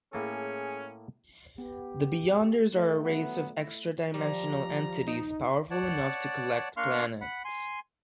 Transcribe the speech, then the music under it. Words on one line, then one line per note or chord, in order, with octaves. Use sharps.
The Beyonders are a race of extra-dimensional entities powerful enough to collect planets.
A2 A#3 C#4 G#4 A4
B3 G4
A3 E4
F#3 B3
E4
F3 G3 A#5
D#4
C#5 D5 F#5 A5
A#3 D4 F5 C6 C#6 F6
F#5 B5
G#5 C6